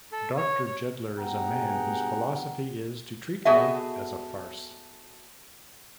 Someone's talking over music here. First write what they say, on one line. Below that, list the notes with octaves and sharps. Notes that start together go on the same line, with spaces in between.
Doctor Jeddler is a man whose philosophy is to treat life as a farce.
A4
C#5
C#5
G2 B2 G#4 F#5 G5 A#5
B3 F#4 G#4 A4 D#5 E5